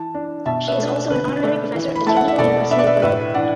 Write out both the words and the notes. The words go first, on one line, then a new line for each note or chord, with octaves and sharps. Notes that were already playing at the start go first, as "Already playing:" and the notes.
She is also an honorary professor at the Technical University of Berlin.
Already playing: E3 A5
D4
B2 E5 A5
B4 E5
A3 D4
D3 B4
A3 D4
E3
B5
A3 E4 A5
F#5
E5
B2 A4 D5
B3 D4 E5
D5
B4 E5
A2 B4 E5
E3 D4 D5 F#5